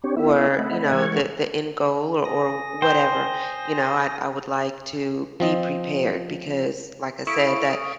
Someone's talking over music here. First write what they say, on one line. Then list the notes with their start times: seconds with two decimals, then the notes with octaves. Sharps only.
or, you know, the the end goal or or whatever, you know, I I would like to be prepared because, like I said, that
0.04 C4 D4 G4 C#5
0.17 B3 E4 E5
0.58 A3 C4 D#5 E5 F#5 B5
0.92 E3 G#3 A#4 F#5 C#6 G#6
2.25 G#5 D#6 A#6
2.82 C5 G5
5.40 F3 C4 D#5
7.27 E4 A4 F5 C#6 D#6 D7